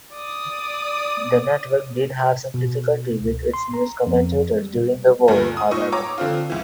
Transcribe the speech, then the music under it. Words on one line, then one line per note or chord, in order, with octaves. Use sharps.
The network did have some difficulty with its news commentators during the war, however.
D5 D#6
B2
C#2
C6
A#5
F2
G3
D2 G2 A#2
D#6
A#2 D#4 D#5 C#6 E6
C#5 A#5 D6
D3 C4 F4
C#2 E3